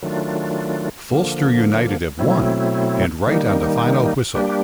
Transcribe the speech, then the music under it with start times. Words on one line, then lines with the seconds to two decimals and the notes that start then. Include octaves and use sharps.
Fulchester United have won, and right on the final whistle!
0.03 D#3 F#3 A3 D4 F4
1.10 D3 F3 A#3
2.19 B2 F#3 A3 C4 E4
3.27 D#3 G3 A#3 D#4
4.35 G3 A#3 D4 G4